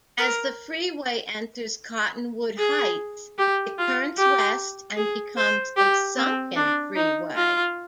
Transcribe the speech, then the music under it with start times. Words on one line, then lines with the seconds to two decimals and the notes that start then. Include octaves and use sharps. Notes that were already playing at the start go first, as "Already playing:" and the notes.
As the freeway enters Cottonwood Heights, it turns west and becomes a sunken freeway.
0.19 A#4
2.58 G#4
3.38 G4
3.78 F4
4.17 G4
4.96 G#4
5.37 C5
5.77 G4
6.17 C4
6.56 D4
6.96 D#4
7.36 F4